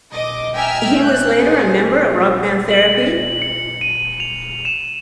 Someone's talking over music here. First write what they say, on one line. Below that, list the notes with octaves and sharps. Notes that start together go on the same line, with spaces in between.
He was later a member of rock band Therapy?
D#5 D6
E5 G5 G#5 A#5 E6 F6
F#6 G6
G#4 C5
F#7
C#7
D#7
F7
E7